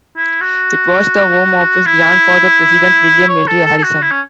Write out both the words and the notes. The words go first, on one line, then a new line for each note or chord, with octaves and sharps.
It was the home of his grandfather, President William Henry Harrison.
E4
F#4
E4
C#5
A4
A4
A4
F#4
E4
C#4